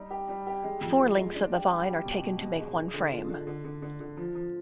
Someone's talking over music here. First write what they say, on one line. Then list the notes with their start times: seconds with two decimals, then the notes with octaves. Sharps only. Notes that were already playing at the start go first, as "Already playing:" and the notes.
Four lengths of the vine are taken to make one frame.
Already playing: G3 D#4
0.10 G4
0.29 G3
0.47 G4
0.64 G#3
0.81 F2
1.00 G#3
1.17 G#3
1.35 D4
1.52 G4
1.70 G3
1.87 G4
2.05 B2
2.22 B2
2.41 B2
2.58 G#3
2.77 D4
2.94 D3
3.12 F4
3.30 D3
3.47 D3
3.64 D3
3.82 D3
4.00 D3
4.17 F3
4.35 F3